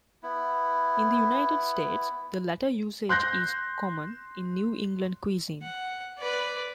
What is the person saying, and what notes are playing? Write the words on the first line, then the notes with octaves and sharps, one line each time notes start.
In the United States, the latter usage is common in New England cuisine.
B3 E4
C6 F#6 G6 A#6
F#5
B4 D5